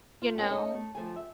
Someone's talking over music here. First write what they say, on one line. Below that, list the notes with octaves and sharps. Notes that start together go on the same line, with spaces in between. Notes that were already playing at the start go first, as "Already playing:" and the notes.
you know,
F4
A3 A#3 C4 C#4 D#5
C#4 D#4 A4 D#5
A3
D2 F3 A3 G#5
E5